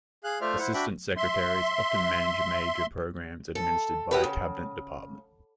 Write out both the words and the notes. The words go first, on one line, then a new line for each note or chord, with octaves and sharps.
Assistant Secretaries often manage major programs administered by a Cabinet Department.
G#4 F5 F#6
A3 F4 C5 D5 E5 F6
E4 C5 F#5
D4 F#4 E5 G5 B5
E5 C6
A4
F#4 G4 B4
C#3